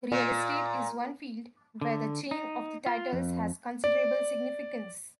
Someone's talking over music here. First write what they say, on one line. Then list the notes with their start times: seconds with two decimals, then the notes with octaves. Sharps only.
Real estate is one field where the chain of title has considerable significance.
0.12 A#2
1.81 D3
2.31 D#4
2.86 F4
3.13 F2
3.84 D5